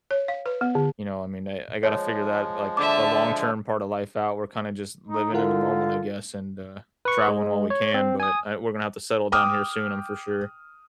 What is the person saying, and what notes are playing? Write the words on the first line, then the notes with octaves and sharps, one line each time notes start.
you know, I mean, I I gotta figure that like, the long term part of life out. We're kinda just living in the moment, I guess, and, uh, traveling while we can, but uh, we're gonna have to settle down here soon, I'm for sure,
C#5
F5
B4
B3
D3
F3 G#3 C#5
D3 E5 A5 D6
D#4
D3 E4 F4 A#4 F#5
B4 C#6
G#3
C#5
C4
G#5 D#6
G5 D6 D#6 F6